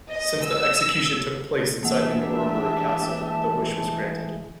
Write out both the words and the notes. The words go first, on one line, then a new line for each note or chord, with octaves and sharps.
Since the execution took place inside the Nuremberg Castle the wish was granted.
D#5
E6
E3 G#3 A#3 D4 G4 E5 F#5 A5